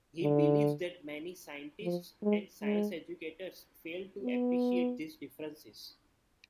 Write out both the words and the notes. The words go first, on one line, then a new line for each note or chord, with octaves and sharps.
He believes that many scientists and science educators fail to appreciate these differences.
D3
F3
G#3
G#3
B3